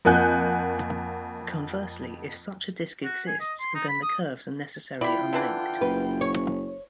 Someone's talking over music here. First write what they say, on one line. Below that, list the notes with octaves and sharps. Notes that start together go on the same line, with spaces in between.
Conversely if such a disk exists then the curves are necessarily unlinked.
F2 A#3 F#5 G#5 F#6 G6
F#4
G#5
D#5
C6
D#4
B5
D#6
E4 F4 D5 G5 B5
D3 E3 D4
F#1 B4
C#5